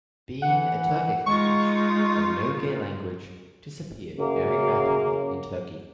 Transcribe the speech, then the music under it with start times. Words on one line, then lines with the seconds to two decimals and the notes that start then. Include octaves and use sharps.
Being a Turkic language, the Nogai language disappeared very rapidly in Turkey.
0.42 E3 F#5
1.26 G#3 D#4 F4 C#6
4.19 F#2 C#3 A#3